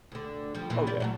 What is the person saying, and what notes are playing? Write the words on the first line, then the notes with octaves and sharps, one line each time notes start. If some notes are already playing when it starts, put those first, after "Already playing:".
Oh, yeah.
D2 D3
F3 G3
D#2 A#2 E3
C#3 G4 D5
F#3 G3 A3